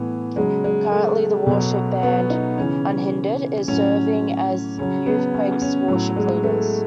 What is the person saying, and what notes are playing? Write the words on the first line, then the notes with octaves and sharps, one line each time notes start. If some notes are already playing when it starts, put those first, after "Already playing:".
Currently, the worship band Unhindered is serving as YouthQuake's worship leaders.
Already playing: A2 E3 B3
C#3 F#3 G#3
G#3
A3
B2 F#3
B3
D#4
C#3 E3 C#4
A2 F#3 C#4
C#3 F#3 C#4
B3
C#4
C#4
A2 F#3
G#3
A3